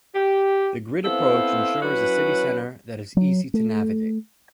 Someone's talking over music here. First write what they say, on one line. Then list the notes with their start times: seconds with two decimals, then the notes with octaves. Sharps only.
The grid approach ensures a city center that is easy to navigate.
0.16 G4
1.05 B3 C4 E4 A4 C5 F5
1.82 F#3 C#4 E4 F#4 B4
3.17 F#3
3.54 A3